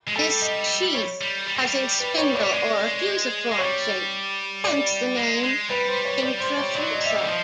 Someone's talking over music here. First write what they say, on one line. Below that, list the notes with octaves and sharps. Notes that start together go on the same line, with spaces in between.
This sheath has a spindle or "fusiform" shape, hence the name "intrafusal".
G#3
G3 A4
D#5
C#5
G3
G3
G#3
G3
B4
C#5
F#3 D5
G3
G#3 D5
G#3
G3 C#5
D5
G#3
G#3
G3 B4
C5
C#5
D5
C5
C#5
F#3 D5
D#5
G3 E5
D#5
E3
F3 D#5